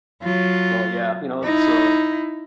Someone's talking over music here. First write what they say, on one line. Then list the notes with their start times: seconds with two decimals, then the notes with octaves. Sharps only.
oh, yeah. You know, it's, uh
0.22 F#3 F4
1.44 D#4 E4